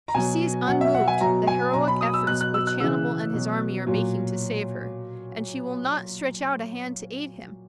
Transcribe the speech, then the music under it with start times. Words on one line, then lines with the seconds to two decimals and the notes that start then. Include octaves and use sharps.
She sees unmoved the heroic efforts which Hannibal and his army are making to save her, and she will not stretch out a hand to aid him.
0.08 A#5
0.14 B2 F#3 G#5
0.68 B2 F#3 F#5
0.81 E5
0.94 F#5
1.08 G#5
1.21 B2 F#3 A#5
1.47 G#5
1.73 B2 F#3 A#5
1.88 B5
2.01 D#6
2.14 E6
2.27 B2 F#3 F#6
2.41 F#6
2.54 E6
2.67 F#6
2.80 C#3 E3 E6
3.33 B2 F#3
3.87 A#2 F#3